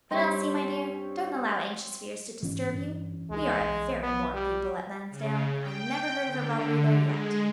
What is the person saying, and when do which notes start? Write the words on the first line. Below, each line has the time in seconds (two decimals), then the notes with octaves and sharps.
"But, Elsie, my dear, don't allow anxious fears to disturb you; we are a very moral people at Lansdale; I never heard of a robbery there yet."
0.11 G2 G3 C4 C#5
2.43 G#2 E3 C#4
2.75 G2
3.31 C#2 G#3
3.61 B1
4.02 B3
4.34 G3
5.09 C#3
5.59 G5
6.23 D3
7.00 G#3